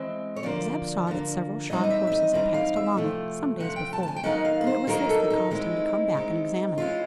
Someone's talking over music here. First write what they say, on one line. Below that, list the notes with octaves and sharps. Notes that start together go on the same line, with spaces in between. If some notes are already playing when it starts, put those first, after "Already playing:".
Zeb saw that several shod horses had passed along it, some days before: and it was this that caused him to come back and examine it.
Already playing: E3 G#3 C4 E5
C#5
D3 F3 A#3 D5
D3 F3 A#3
E3 G3 C4 D#4 D#5
D#5
E5
E5
D#5
E3 G3 C4 D#4
F5
E5
C3 F3 A3
C3 F3 A3 F#5
G5
A5
A5
G#5
G5
D#3 F#3 A#3 D#4 F#5
F5
B4
C5
D#3 F#3 A#3 D#4 A#4
A4
D#4
D#3 G#3 C4 D#4 E4
D#3 G#3 C4 D#4
E3 G#3 C#4 F4